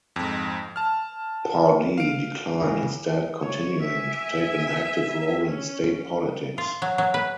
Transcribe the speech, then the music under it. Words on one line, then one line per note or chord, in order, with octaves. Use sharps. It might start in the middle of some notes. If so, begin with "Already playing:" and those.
Pardee declined, instead continuing to take an active role in state politics.
F2 G#2
A5 F6
F5 D7
C#2 E3
C#5
E5 G#5
C#4
F4
F#3
F#3
B4